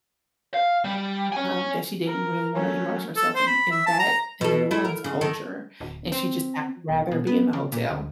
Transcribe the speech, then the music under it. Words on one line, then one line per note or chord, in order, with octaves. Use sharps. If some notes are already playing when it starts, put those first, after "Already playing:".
um, that she didn't really wanna immerse herself in in that in the New Orleans culture, and she just had rather be in the hotel.
F5
G3
C#5 G#5
A#4
F#3 A3 C#4
A4
C5
B5
E5
A5
A#5
B2 A4
A3 E4
A#4
C#3
D#3 A4
D1
C4
B1
B2
B3
C#3
A#2
D2